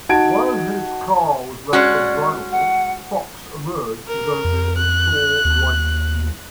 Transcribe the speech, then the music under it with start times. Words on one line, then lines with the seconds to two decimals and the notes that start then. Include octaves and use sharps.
While his car was left undriveable, Fox emerged with only a sore right knee.
0.09 D#4 F#4 F#5 A5 G#6 D7
1.73 G#3 C#4 F#4 D5
2.52 F#5
4.08 A#4
4.44 F2
4.78 F#6
5.45 D#2